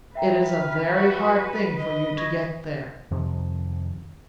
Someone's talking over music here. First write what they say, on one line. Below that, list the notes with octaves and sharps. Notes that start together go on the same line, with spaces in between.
It is a very hard thing for you to get there.
B4 E5 G5 A#5
F6
F#4
D#5
C#6 G#6 A#6
F2 C3 D#3 F3